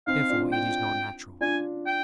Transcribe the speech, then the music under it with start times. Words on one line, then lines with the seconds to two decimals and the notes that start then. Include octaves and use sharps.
Therefore it is not natural.
0.07 C4 D#4 F5
0.30 D4 F4
0.52 G5
1.41 D4 F4 G#5
1.86 G5